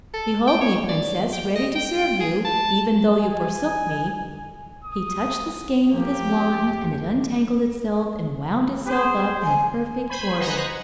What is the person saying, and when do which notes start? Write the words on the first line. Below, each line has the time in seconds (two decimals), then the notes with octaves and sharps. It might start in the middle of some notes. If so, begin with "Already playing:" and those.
"Behold me, princess, ready to serve you, even though you forsook me." He touched the skein with his wand, and it untangled itself, and wound itself up in perfect order.
0.14 A4
0.48 G5
0.61 C#5
0.89 D5
1.33 G5
1.56 D#5
1.76 G5
2.20 G#4
2.45 A5
3.21 G#5
4.84 D#6
5.91 F3 A#3 G4
6.53 F2
8.86 G#4 C5
9.43 G#5
10.10 C5 G#5 B5
10.39 B4 C5 D#5 F#5 G#5 A#5